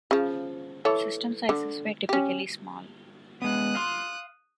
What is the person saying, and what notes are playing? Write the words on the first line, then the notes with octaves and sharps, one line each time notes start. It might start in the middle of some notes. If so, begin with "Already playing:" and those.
System sizes were typically small.
C#3 F3
E3 A4 C#5
D3
C#4 G4
G#3 B3 D#6 F#6
F5 C6